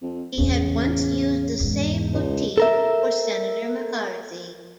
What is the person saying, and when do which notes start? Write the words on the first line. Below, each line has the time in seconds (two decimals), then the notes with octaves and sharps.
He had once used the same motif for Senator McCarthy.
0.02 F2
0.38 E2 A2 C#3
1.60 E2 G#2
2.13 C#2
2.58 A4 A#4 E5